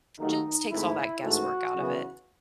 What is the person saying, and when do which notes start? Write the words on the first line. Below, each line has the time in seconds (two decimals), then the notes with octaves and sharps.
Just takes all that guesswork out of it.
0.18 D#2 D#3 F#3 A3 D#4
0.70 G#1 G#2 D#3 A3 E4
1.22 A1 G#2 E3 A3 F#4
1.75 F#2 C#3 E3 B3